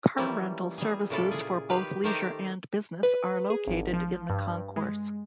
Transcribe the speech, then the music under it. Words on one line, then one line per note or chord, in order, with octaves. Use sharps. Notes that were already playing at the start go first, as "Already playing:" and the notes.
Car rental services for both leisure and business are located in the concourse.
E3 F3 G3 A#3 C#4
G3 G#4
A#2 C#3 E4 F4 A4 D5
G#4
D#3 G4 B4 F5
D#3 A3 G4 A#4 C5 D5
B4
G#4
G#1
F3
G2
G#3